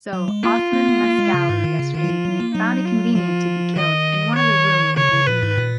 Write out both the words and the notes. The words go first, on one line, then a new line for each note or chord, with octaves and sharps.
So, Osman Mascali yesterday evening found it convenient to get killed in one of the room of the Golden Mirror.
F#3
G#3
A#3 F4
A#3
B3
A#3
G#3
C#3
G#2
D#3
C#3
D#3 F4
F#3
F3
F#3
A#3
F#3 D#4
F4
F3 F4
D#3 D#5
C#5
C#3 C#5
C#3
A#2 B4
G#2
A#2